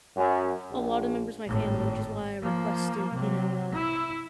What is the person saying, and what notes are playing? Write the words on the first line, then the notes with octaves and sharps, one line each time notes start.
a lot of members of my family, which is why I requested, you know, a
F#2
A#1
G#1 A2
F3 A#3
C3 F#3
E4